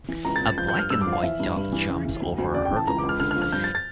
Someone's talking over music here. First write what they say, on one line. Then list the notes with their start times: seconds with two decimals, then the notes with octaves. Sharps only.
A black and white dog jumps over a hurdle.
0.08 E3
0.25 C#2 A#5
0.36 A6
0.41 C#2
0.47 A6
0.58 F3 G6
0.69 G6
0.74 G2
0.79 F6
0.90 G2 E6
1.01 D6
1.07 F3
1.13 F5
1.23 E3 E5
1.40 G2
1.56 G2
1.72 E3
1.89 C#3
2.05 E3
2.22 D2
2.38 D2
2.54 C#3 D5
2.65 G5
2.71 E3
2.76 A5
2.87 C#2 A#5
2.98 C#2 D6
3.09 F6
3.20 D3 F6
3.31 F6
3.36 F3
3.42 F6
3.52 G2 G6
3.64 A6
3.75 A6